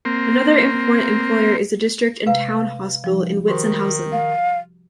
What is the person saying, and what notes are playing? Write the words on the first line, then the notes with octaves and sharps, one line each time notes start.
Another important employer is the district and town hospital in Witzenhausen.
A#3 C4
C3 G#3 B4 F5 A#5
F3 G3 D#4
D#3 F#4 G4 C5 C6
F5